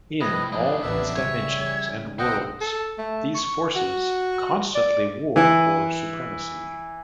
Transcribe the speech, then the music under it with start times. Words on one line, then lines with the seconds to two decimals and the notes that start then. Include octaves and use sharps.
In all these dimensions and worlds, these forces constantly war for supremacy.
0.21 A2 C3 F3 B4 D#5
0.53 A2 F3 D4 E4 D#5
0.82 A1 D#2 B3 E5
1.15 C#3 G3 C#5
2.19 B1 C4 D#5 F#5 G5
2.61 A4
2.98 A3
3.34 C#6
3.75 F#4
4.75 D5
5.36 E3 E4